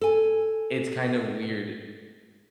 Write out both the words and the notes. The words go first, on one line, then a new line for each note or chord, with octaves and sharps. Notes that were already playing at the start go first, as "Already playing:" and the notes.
it's kind of weird
A4 G#5